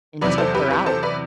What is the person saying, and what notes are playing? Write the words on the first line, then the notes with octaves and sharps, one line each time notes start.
and took her out,
E2 C3 F#3 B4 D5
A4 C5
G4 B4
G4 B4
A4 C5
B4 D5